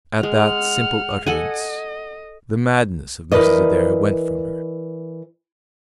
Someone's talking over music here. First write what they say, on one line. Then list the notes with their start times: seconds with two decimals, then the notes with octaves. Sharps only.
At that simple utterance the madness of Mrs. Adair went from her.
0.23 G#3 F#5 F6
1.26 A4 D#5 F#5 G#5
3.32 E3 A#4 B4 D5 D#5